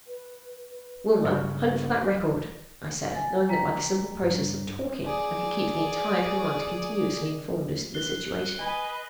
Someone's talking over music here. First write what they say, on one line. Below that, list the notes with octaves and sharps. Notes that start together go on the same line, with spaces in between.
"Wilma, hunt for that record," I said, knowing that by the simple process of talking I could keep the entire command continuously informed as to the situation.
B4
B4
G2 C#3 F#3
G#5 A6
G5 A#5 B6
G2
G#4 D5
F#6 C7 G7
B4 D#5 G#5